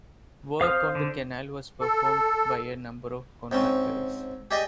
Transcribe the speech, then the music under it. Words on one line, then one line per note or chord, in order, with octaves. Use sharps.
Work on the canal was performed by a number of contractors.
C5 F5 D#6 F6
D3
A4
G#2 C4 C#4
G4 G#4 D5 D#5 G5 G#5